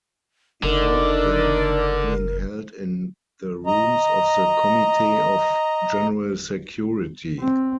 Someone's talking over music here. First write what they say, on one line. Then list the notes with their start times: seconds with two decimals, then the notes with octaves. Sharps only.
He found them being held in the rooms of the Committee of General Security.
0.64 F#1 D3 D#4 A#4 D5
3.67 D#5 A#5
7.40 C4